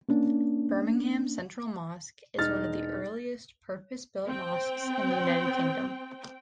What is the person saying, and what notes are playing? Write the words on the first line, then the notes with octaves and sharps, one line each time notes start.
Birmingham Central Mosque is one of the earliest purpose-built mosques in the United Kingdom.
A#3 C#4 D4
E1 D#4 F6 A6
C4 G5